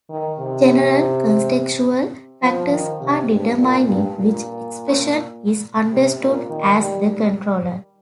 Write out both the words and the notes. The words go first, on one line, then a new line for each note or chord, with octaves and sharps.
General contextual factors are determining which expression is understood as the controller.
D#3
C3
F3
D#3
C3
G2
A#2
G2
A#2
C3
A#2
D#3
G3